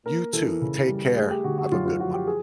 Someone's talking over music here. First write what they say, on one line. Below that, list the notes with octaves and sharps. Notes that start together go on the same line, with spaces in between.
You too, take care, have a good one.
A#3 A#4
E3 A4
C#3
G3
A3 G#4
G4
D3 F#4
F#4
F#2 F4
F4
F3 F#4
G4
G#4